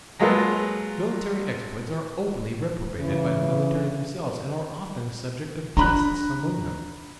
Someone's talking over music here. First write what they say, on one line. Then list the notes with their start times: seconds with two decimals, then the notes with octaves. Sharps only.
Military exploits are openly reprobated by the military themselves, and are often the subject of jests among them.
0.19 F#3 G#3 A#3 F4 A4 B4
2.99 C#3 E3
5.77 D4 A#5 B5 F#6